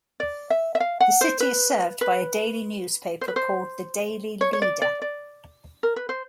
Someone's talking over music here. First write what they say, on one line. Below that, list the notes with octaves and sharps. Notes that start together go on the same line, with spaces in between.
The city is served by a daily newspaper called "The Daily Leader".
D5
E5
E5
F5
F#5
C5
B4
B4
C5
B4
C5
C#5
C#5
D5
D5
D5
A#4
B4
C5